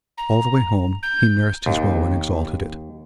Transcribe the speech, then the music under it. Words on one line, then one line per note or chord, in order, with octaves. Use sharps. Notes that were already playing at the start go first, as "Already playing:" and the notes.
All the way home he nursed his woe and exalted it.
A#5
G6
D#2